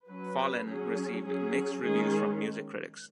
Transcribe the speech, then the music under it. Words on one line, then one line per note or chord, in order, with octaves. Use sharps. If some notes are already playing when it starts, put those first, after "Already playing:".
"Fallen" received mixed reviews from music critics.
F#3 C#4 B4
F#3 C#4 G#4
F#3 C#4 G#4
D#3 G#3 C#4 G#4